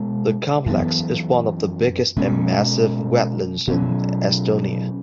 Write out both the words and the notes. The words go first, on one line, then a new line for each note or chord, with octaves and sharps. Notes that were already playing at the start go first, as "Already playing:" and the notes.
The complex is one of the biggest and massive wetlands in Estonia.
Already playing: B2 G#3 B3
F#2 E3 B3
B2 G#3 C#4
B2 F#3 C#4